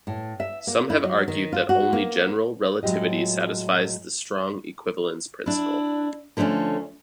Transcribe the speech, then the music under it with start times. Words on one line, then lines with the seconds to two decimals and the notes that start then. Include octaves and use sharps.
Some have argued that only general relativity satisfies the strong equivalence principle.
0.07 A2
0.40 E5
0.67 A#3
0.90 E4
1.04 F#3
1.28 D#3
1.52 F4
1.69 F#4
1.93 A#3
2.83 A2 F#3 G#3 F4 G4 D#5
5.46 D4 E4
6.37 D3 F3 A3 C4 C#4